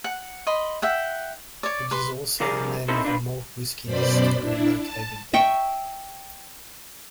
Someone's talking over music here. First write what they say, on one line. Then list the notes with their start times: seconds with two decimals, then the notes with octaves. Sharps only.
It is also the name of a malt whisky distillery located there.
0.04 F#5
0.47 D#5 B5 C6
0.82 E5 F#5 G5
1.63 C#5 D5
1.91 B4 C6
2.40 C2 G2 F3 G#4 A#4 D5
2.88 C4 C#4 D#4 E4 A4 C5
3.04 D4 F4 B4
3.85 F#2 B2 C5 D5 B5
4.39 D4 E4
4.78 A5
5.34 E5 G5 C#6